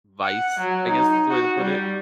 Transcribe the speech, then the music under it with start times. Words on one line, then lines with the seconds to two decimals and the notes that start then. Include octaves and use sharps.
vice, I guess is the way to put it,
0.24 F#5
0.60 F#3
0.89 D#4
1.30 F#4
1.59 G3